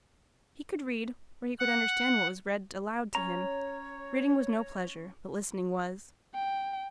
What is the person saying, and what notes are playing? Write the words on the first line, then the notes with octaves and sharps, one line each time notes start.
He could read, or he could understand what was read aloud to him; reading was no pleasure, but listening was.
F#5
C#4 C#5 A#5
G5